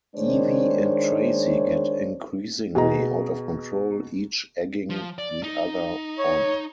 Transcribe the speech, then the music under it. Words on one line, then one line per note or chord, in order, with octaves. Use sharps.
Evie and Tracy get increasingly out of control, each egging the other on.
D#3 G#3 D4 C5 C#5
B2 G#4 D#5 A#5
F3
D5
D#4
C#5